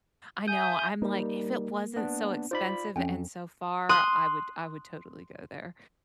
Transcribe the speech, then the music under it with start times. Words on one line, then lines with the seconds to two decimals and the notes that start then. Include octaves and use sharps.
I know, I'm like, "If it wasn't so expensive and so far, I would I would totally go there."
0.48 E5 G#5 D#6 G6
1.02 G3 A#3 D#4
1.96 B3 D4
2.51 D#4 F4 C5 D5 B5
2.96 F2 C#4 G5 G#5
3.89 C6 D#6 F#6